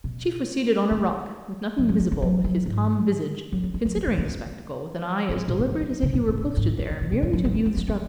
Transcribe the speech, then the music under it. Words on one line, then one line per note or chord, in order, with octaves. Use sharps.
The chief was seated on a rock, with nothing visible but his calm visage, considering the spectacle with an eye as deliberate as if he were posted there merely to view the struggle.
B2
D#3
F#3
F#3
F#3
G#3
F#3
F#3
G#2
F#3
F#3
G#3
F#3
D#3
D#3
A#3
G#3
A#3
G#3
A#2
G#2
F2
F#2
C#3
B2
G#2
A#2
G#2
A#2
A#2
A#2
A#2
B2
D#3
F3
B3
B3
B3
A#3
B3